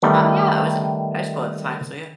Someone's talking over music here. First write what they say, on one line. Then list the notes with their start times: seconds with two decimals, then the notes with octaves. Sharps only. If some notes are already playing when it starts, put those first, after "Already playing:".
Oh yeah, I was in high school at the time so, yeah.
0.03 D#3 G3 A3 B3